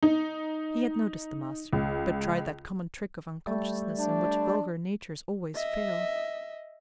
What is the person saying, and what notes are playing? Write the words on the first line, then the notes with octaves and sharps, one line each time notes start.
He had noticed the master, but tried that common trick of unconsciousness in which vulgar natures always fail.
D#4
C#2
G3 A3
D4
D#5 E5